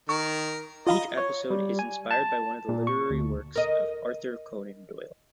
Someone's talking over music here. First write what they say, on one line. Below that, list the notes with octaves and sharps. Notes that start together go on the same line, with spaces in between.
Each episode is inspired by one of the literary works of Arthur Conan Doyle.
D#3 A#4 C#6
F4 D#5 F5 A#5 B5
C#5
G3
G#5
A5
A#2
C#6
D2
A#4 D#5